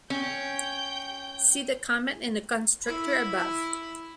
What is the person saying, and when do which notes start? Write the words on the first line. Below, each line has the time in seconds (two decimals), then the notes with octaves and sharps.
See the comment in the constructor above.
0.10 C#4 G5 G6
2.85 E4 B5